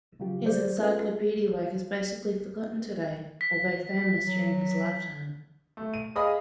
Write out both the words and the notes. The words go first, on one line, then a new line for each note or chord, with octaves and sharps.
His encyclopedic work is basically forgotten today, although famous during his lifetime.
C#3 F3 F#3 F4 G4
D#3 C5 D5 G6
C#4 F4 A4 B4
B6
F#3
A3
D#7
G#4 D#5 F5 B5 D#6